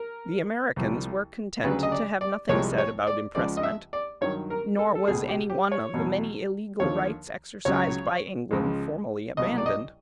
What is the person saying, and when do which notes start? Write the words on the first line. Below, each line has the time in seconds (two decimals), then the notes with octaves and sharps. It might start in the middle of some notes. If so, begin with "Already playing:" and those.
The Americans were content to have nothing said about impressment; nor was any one of the many illegal rights exercised by England formally abandoned.
Already playing: A#4
0.76 C2 C3 F3
1.63 D2 C#3 F#3 B4
1.83 D#5
1.92 D5
2.21 D5
2.49 C2 C3 F3 G#3 C#5
2.78 C#5
3.07 D5
3.35 C#2 C#3 F3 G#3 D5
3.57 D#5
3.63 E5
3.93 D5
4.21 G2 D#3 F#3 C#5
4.50 A#4
4.79 A4
4.95 A4
5.07 C#2 B2 G#3 G#4
5.28 G4
5.50 G4
5.72 C#5
5.94 E2 B2 F#3
6.80 D#2 D3 F3 C#5
7.65 C#2 C#3 F#3 C#5
8.51 C#2 C#3 F3 G#3
9.37 C2 B2 F#3 D#5
9.58 D5
9.66 D#5